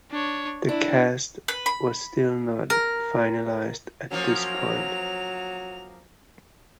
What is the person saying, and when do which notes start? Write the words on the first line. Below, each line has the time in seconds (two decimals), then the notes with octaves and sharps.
The cast was still not finalized at this point.
0.11 D4 C#5
0.69 D4 E4
1.48 B4
1.66 B5
2.70 A#4
4.11 F3 F#3 A#3 C#4 F7